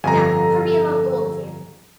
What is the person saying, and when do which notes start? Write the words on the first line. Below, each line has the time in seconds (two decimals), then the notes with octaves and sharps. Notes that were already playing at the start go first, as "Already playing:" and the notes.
Now hurry along, all of you.
0.04 G1 F2 A4 G#5 A#5